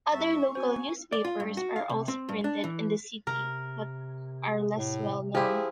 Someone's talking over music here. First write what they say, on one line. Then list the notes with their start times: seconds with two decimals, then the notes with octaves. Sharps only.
Other local newspapers are also printed in the city, but are less well known.
0.12 G2 E5 C#6 A6
0.55 C4 F#4 C5 G#5
1.13 D5
1.25 F4
1.40 G2
1.57 F#4
1.76 F5
1.89 C3
2.08 C4
2.29 G2
2.44 D4
2.64 E3
3.27 C3 A#4
4.75 A2
5.35 F3 E4 G4 G#4